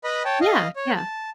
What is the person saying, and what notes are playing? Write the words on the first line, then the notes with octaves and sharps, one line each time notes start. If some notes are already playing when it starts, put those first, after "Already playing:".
Yeah, yeah.
B4 D#5 B5
C#5 G5 A5
D#5 F5
C#5
A5